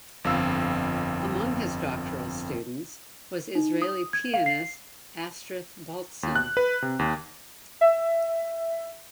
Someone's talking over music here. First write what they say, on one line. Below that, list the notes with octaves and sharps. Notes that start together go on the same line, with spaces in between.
Among his doctoral students was Israeli pianist Astrith Baltsan.
G1 F2 F5 E6
D#4
D#6
G#6
F5
C7
D#2
F#6
B4
C3
D#2
E5